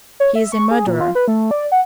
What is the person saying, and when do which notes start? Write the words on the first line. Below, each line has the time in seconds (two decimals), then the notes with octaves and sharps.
He is a murderer.
0.20 C#5
0.35 E5
0.52 C#6
0.71 G#4
0.87 A#2
1.00 F4
1.15 B4
1.28 A3
1.51 D5
1.72 F#5